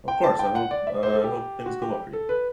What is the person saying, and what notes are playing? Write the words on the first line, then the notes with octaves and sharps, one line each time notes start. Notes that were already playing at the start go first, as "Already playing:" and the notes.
Well, of course, I hope uh, I hope things go well for you.
G5
A5
G5
F#5
D5
E5
C5
A4
G4
F#4
G4
A4
B4